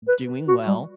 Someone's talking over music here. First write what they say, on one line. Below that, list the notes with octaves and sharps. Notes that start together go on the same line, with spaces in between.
doing well,
B4
F#4
G3